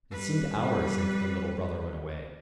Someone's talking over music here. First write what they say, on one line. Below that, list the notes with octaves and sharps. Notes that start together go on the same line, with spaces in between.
It seemed hours since the little brother went away.
G3 B4